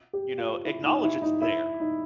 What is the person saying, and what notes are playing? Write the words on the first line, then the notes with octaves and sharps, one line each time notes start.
You know, acknowledge it's there.
G4
F4
E4
D#4
E4
D#4
E4
D#4